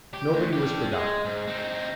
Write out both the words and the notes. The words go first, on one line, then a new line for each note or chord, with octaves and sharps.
Nobody was forgotten.
G4
D2
D4 G4
G#3
G#2
C4 D#4